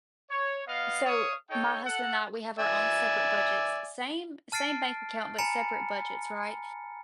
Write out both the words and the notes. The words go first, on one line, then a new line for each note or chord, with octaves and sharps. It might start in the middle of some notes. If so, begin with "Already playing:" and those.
So, my husband and I, we have our own separate budgets. Same same bank account, but separate budgets, right?
C#5
B3 D#5 F5
C#5 F5 C#6 D#6
D#4 A4 C#5 G5
A4 F#5
D5 E5 G#5
A5 F6 A6 C7 D7
G#5 A#5 B5 C#7